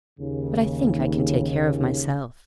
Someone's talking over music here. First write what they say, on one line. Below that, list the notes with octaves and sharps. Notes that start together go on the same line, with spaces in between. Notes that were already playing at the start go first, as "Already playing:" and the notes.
But I think I can take care of myself.
D#2 C#3